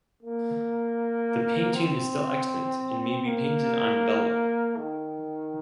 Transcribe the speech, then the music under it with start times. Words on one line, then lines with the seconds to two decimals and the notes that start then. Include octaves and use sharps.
The painting is still extant and may be painted on vellum.
0.23 A#3
1.74 C4
3.25 A#3
4.77 D#3